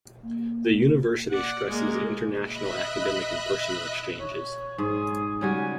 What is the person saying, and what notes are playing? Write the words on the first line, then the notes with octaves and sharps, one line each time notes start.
The university stresses international academic and personnel exchanges.
A#3
D5 F#5
G#3 A#3
D#5 E5 B5 F#6
C#5
G#2 G#4
C#3 G3 F#4 G#5